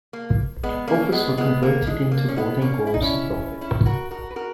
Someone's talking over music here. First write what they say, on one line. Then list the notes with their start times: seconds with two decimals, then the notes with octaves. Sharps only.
Others were converted into boarding homes for profit.
0.13 A#3
0.63 G#3 B3
0.88 A#3 C#4
1.12 G#3 B3
1.37 G#3 B3
1.63 A#3
1.87 G#3
2.12 A#3
2.28 C#4
2.36 G#3 B3
2.62 A#3 C#4
2.87 E4
2.94 D#4
3.02 C#4 E4
3.61 C#4 E4
3.86 F#4 A#4
4.11 F#4 A#4
4.31 B4
4.36 F#4 A#4